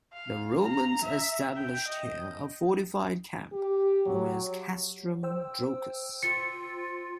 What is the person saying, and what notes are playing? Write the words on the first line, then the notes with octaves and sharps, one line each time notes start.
The Romans established here a fortified camp known as Castrum Drocas.
F5
A#5
E5
G5
D#5
G4
F#3
C5 G5 E6
F4 C#7